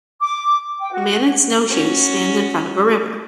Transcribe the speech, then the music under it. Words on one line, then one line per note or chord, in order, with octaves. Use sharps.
A man in snowshoes stands in front of a river.
D6
G5
F#4
C#5
C#4 F#4